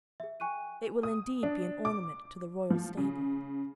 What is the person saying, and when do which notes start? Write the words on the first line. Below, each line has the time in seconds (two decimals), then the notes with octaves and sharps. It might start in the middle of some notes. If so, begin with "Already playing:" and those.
It will indeed be an ornament to the royal stable.
0.20 G#4 E5
0.40 G5 G#5 C#6 F#6 D#7
1.03 D#6
1.43 D4
1.85 D6
2.70 F3
2.97 C#3